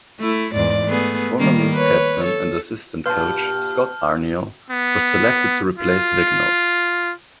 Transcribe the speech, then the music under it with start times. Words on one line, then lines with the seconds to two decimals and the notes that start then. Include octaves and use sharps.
Former Moose captain and assistant coach Scott Arniel was selected to replace Vigneault.
0.20 A3 E4
0.55 E2 G#2 D5
0.87 A3 B3 G#4
1.39 D#3 G3 A#3
1.75 B4 C#5
2.25 A4
3.06 G2 A#2 B4 F5 A5 C6 F6 G6
4.71 B3
5.78 F4